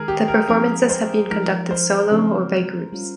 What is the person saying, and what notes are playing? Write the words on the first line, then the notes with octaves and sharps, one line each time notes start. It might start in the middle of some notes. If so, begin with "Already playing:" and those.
The performances have been conducted solo or by groups.
Already playing: D#3 G#3 D#4 G#4 A#4
G4
A#4
F3 G#3 C4 D#4 A#4
C5
F3 G#3 D#4 A#4
C5
C#3 F3 G#3 C4 D#4
G3 C#4 F4